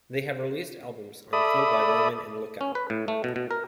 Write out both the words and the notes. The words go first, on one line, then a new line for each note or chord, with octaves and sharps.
They have released albums on Fueled by Ramen and Lookout!
A4 D5 E5 B5 D#6
C#4
B4
A2
A3
B2
B2
A#4